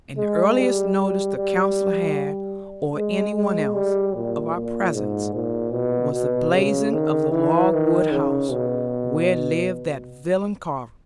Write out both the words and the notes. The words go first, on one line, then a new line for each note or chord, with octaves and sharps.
And the earliest notice the Counsellor had, or any one else, of our presence, was the blazing of the log-wood house, where lived that villain Carver.
G#3
G3
G3
G#3
G#3
G3
A#2
A#2
G#2
A#2
B2
B2
C#3
D#3
E3
D#3
C#3
B2